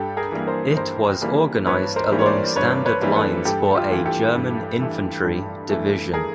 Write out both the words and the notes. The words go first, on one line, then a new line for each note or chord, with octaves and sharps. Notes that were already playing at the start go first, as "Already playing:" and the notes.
It was organized along standard lines for a German infantry division.
Already playing: G2 G4 A4
G#4 A#4
E3 G3 A#3
A#4 C5
G2 A#4 C5
E3 G3 A#3
G2 B4 C#5
A#4 C5
E3 G3 A#3
C#5
C5 D5
G2 B4 C#5
B4 C#5
E3 G3 A#3
A4 B4
G2 G4 A4
F4 G4
E3 A3
G4 A4
G2
E3 A3
G2
E3 A3
G#4 A#4